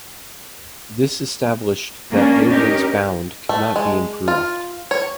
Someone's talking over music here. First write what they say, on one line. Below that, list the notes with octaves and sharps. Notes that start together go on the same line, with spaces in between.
This established that Heawood's bound could not be improved.
A#3 C#4 D4
C#4 D#4 G4 A#4
A3
G#3
F4
C#5